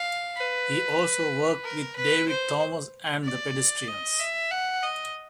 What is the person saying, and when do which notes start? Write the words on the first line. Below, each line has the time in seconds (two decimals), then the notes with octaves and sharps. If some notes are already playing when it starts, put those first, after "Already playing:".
He also worked with David Thomas and the Pedestrians.
Already playing: F5
0.37 B4
1.65 A#4
1.96 B4
2.28 C5
3.24 D5
3.88 D#5
4.20 E5
4.51 F#5
4.83 D#5